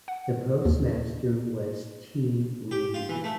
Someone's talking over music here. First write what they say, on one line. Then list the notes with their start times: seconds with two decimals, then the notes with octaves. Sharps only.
The postmaster was T. Read.
0.08 F#5
0.65 D#2
2.71 G4
2.94 F4
3.09 E3
3.24 A3